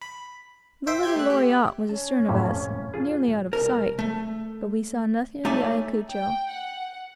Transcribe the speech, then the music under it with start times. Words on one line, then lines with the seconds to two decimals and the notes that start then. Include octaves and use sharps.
The little Loriotte was astern of us, nearly out of sight; but we saw nothing of the Ayacucho.
0.01 B5
0.87 C5 E5 G5
1.03 G4 G6 G#6
1.16 A3 F#6
1.30 G4
1.89 C#4 A5
2.29 F2 A2 C3
2.94 F4 G#4
3.53 C2 A#4
3.99 A3
5.45 A3 D#4 C#5 D5 E5 G#5
6.10 G5
6.49 F#5